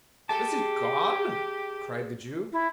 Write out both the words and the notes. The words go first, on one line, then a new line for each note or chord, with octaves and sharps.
'Is it gone?' cried the Jew.
G#3 G4 A4 A5
E4